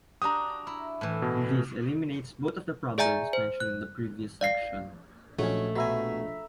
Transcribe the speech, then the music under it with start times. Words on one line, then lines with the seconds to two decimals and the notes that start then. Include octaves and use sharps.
This eliminates both of the problems mentioned in the previous section.
0.22 D4 F#4 G4 A#5 D#6
0.67 E4
1.01 A2 E3
1.22 B2
2.98 G#4 D5 E5 G#5 A#5 G6
3.33 C5
3.60 F#6
4.41 D5 F5 C7
5.39 A#1 F#3 A3 C#4 D#5
5.76 B2 E5 G#5 A#5 B5